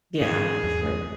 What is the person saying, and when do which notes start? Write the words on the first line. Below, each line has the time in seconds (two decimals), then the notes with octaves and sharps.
Yeah. For sure.
0.21 G#2 G#4
0.64 E2